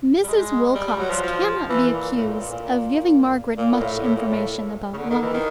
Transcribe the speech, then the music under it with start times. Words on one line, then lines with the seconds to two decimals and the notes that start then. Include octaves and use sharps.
Mrs. Wilcox cannot be accused of giving Margaret much information about life.
0.24 G3
0.28 G#3
0.75 G3
0.87 G3
0.99 F#3
1.10 F3
1.23 F3
1.70 E3
1.93 A#2
2.16 A2
2.27 A#2
2.40 A#2
2.51 A#2
3.58 A#2
3.73 A#2
3.80 A2
4.04 A2
4.16 A#2
4.27 A2
4.93 C#3
4.98 D3
5.10 D#3
5.22 E3
5.34 D#3